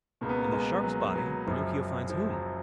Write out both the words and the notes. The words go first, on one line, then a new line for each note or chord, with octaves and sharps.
In the Shark's body Pinocchio finds whom?
C#2 B2 A#3
B3
A#3
G#3
F#3
F#3
F#1 F#2 F3
F3
F#3